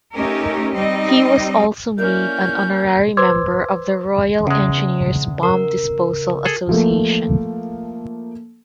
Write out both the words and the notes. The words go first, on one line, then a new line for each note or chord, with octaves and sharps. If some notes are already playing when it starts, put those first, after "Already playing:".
He was also made an Honorary Member of the Royal Engineers Bomb Disposal Association.
A3 C#4 D#4 G4 A#4
G3 C4 D#4 D#5
A#3 C#4 E4 A#4 D5 G6
B4 C5 C6 D6 E6 G#6
E2 C#3 G#3
A#4
G#4 A4
F3 A3 A#3